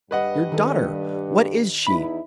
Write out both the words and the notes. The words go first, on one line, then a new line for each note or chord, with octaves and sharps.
Your daughter--what is she?
G2 G3 B4 D#5 F#5
D#3 A4
E2 D#4 E4 B5